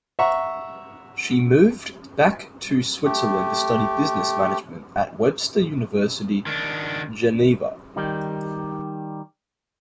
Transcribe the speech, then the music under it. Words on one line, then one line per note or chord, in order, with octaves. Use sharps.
She moved back to Switzerland to study business management at Webster University Geneva.
E5 F#5 A#5 C#6
A3 G4
D#3 D4
D#3 G3 D#4